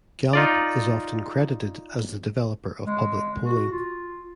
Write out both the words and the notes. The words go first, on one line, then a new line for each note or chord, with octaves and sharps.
Gallup is often credited as the developer of public polling.
D#4 F4 D5
G#3
F#4
F4